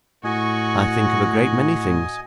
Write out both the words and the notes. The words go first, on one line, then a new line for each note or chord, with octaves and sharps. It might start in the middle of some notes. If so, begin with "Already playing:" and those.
I think of a great many things.
A2 F#4 D#5 G#5 C#6